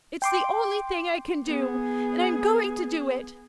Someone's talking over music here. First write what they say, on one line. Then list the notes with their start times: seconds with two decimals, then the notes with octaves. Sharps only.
It's the only thing I can do ... and I am going to do it.
0.22 G5 C6 D6
1.45 B3 G#4